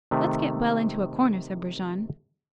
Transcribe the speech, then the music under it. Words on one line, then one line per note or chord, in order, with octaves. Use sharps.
"Let's get well into a corner," said Brujon.
C3 D#3 A3